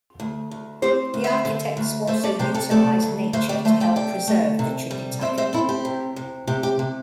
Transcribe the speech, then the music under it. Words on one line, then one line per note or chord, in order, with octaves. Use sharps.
The architects also utilized nature to help preserve the Tripitaka.
D2
D2
C4 G4 C5
D2
C5 E5
D3
D2
A3 C5 E5
A4 D5
C3 G4 C5
A4 D5
A3 A4 D5
D2
D2 C5 E5
D5 G5
A3 C5 E5
D5 G5
C3 D5 G5
A3
C3
G3
C4 C5 E5
C5 E5
C4 E4 A4
G4
C3
C3
C3 G4
G4
C3